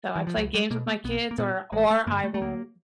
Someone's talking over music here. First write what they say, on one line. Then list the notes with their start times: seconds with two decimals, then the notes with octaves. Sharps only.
So, I play games with my kids or or I will,
0.15 E3
0.27 F3
0.37 C#2 F#3
0.54 G3
0.70 B2 A#3
0.87 A#3
1.04 B1 B3
1.31 A#3
1.38 A#2 B3
1.72 A1 G#3
1.90 A3
2.07 G2 A#3
2.11 D3
2.24 A3
2.34 A3
2.41 D2 A#3